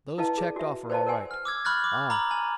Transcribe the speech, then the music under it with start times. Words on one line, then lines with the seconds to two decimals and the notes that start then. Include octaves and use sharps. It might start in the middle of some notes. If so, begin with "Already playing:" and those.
"Those checked off are all right."
0.18 E4 B4 D#5 F5 A5
0.38 G#4 D5
0.56 F#4 E5
0.90 B4 C5 D5 D#5 A5
1.07 A#4 D5 F#5 G#5 C6
1.31 F6
1.45 D6 E6 G#6
1.65 B5 C#6 F6 F#6 G#6 A6
1.84 D6
2.10 A#5 B5 D6 E6 F#7
2.31 G#5